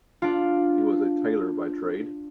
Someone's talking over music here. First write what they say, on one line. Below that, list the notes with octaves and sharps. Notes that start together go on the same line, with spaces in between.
He was a tailor by trade.
D4 F4